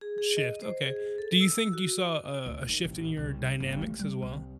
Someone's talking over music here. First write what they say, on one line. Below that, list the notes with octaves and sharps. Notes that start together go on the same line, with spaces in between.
shift, okay. Do you think you saw, uh, a shift in your dynamics, as well?
G#4
G#4
D#5
C5
G#4
A4
E6
F#4
D2
D#3
A1
C2
G1
A3
G3
C2